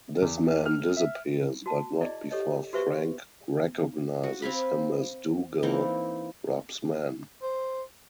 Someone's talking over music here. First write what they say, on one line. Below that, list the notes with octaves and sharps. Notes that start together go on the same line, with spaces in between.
This man disappears, but not before Frank recognizes him as Dougal, Rob's man.
E2
F6
E5
F#4 A5
E4 G#4 D5 D#5
G4 A4 C#5 D#5
F#4 G4 B4 C5 E5 C#6
F#4
C4 F5 G#5 B5
E3 A#3 C4 D#4
C5